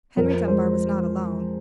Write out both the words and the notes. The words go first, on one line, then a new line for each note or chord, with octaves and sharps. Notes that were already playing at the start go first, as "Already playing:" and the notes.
Henry Dunbar was not alone.
F2 A#4
G#3 C5